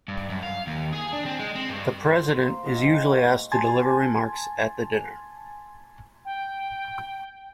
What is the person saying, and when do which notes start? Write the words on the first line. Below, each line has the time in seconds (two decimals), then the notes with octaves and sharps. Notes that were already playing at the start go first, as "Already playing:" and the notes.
The president is usually asked to deliver remarks at the dinner.
0.08 G2
0.29 F#2
0.43 F5
0.67 D#2
0.93 G#4
1.13 D4
1.26 C4
1.40 G#3
1.55 C4
1.69 G2
2.05 C5
2.43 A#3
2.66 G#2
2.83 G5
3.07 F#4
3.52 G#5 A5 C6 G#6 A6
6.25 G5